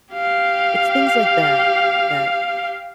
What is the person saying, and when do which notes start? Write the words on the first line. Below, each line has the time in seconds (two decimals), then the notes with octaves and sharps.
It's things like that that
0.13 G4 F5